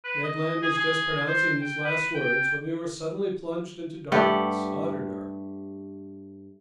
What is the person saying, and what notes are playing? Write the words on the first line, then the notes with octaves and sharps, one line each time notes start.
Ned Land was just pronouncing these last words when we were suddenly plunged into darkness, utter darkness.
B4
D#5
G#4
G#4
C5
G5
B4
G5
G2 A3 G4 F#5